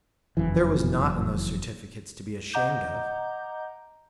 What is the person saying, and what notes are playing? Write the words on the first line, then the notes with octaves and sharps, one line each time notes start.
There was naught in those certificates to be ashamed of.
F#1 F2 E3
D#5 F#5 A#5 D6 G6